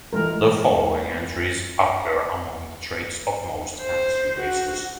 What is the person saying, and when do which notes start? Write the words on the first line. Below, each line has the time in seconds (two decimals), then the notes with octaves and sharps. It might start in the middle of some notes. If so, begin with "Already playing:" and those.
The following entries appear among the traits of most fantasy races.
0.13 E3 G#3 A3 A#4
3.81 C5
4.40 F#4